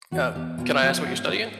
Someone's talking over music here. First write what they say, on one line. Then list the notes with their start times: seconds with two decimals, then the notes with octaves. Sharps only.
Uh, can I ask what you're studying?
0.11 E2 F#4
0.35 E2 G4
0.58 B2 F4
0.82 F3 F#4
1.06 G#2 F#4
1.29 G#2 F4